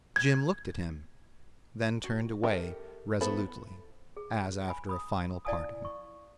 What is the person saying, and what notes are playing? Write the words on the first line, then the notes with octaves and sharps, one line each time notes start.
Jim looked at him, then turned away resolutely, as after a final parting.
G#6
F#4
G4 A4 A#4 E5
B3 E4 A4 C5 B5
G#4
G#5 B5
B5 D#6
E4 D5 F5 G#5 A5 D#6
C#6